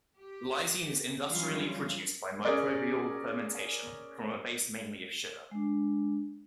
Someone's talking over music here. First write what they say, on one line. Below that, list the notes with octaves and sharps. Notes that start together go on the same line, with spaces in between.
Lysine is industrially produced by microbial fermentation, from a base mainly of sugar.
G4
E3 F#3 G3 C#4 F4
C#4 G#4 A#4 D5
G#3 D4